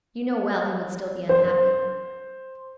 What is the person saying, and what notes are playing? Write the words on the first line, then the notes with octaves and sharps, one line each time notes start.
You know well he would still be unhappy.
C5